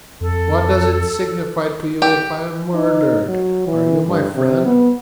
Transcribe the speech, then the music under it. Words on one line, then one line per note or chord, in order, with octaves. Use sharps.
What does it signify to you if I am murdered? Are you my friend?
F2 A4
G4
D#4
F#3
E3
G2
C3
B3